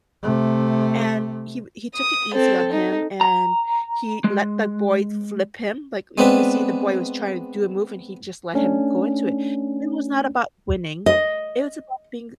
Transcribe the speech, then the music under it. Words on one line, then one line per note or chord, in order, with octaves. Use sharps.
and he he took it easy on him, and he let the boy flip him, like, he could see the boy was tryna do a move, he just let him go into it. It was not about winning, it was about being
C3 A3
D#6
C4 A4
D#4
A#5
G#3
G#3 B3 C4 D4 B4
A3 C#4 D4
D#5